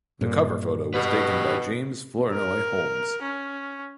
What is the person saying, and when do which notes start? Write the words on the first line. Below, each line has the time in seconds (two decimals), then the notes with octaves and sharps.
The cover photo was taken by James Flournoy Holmes.
0.21 G2 A#2
0.94 B2 G4 B4
2.31 A#4
3.22 C#4